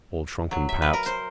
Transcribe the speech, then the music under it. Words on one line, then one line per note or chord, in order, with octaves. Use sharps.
Old shrunken paps.
F#3
E5
B4
A#4
C5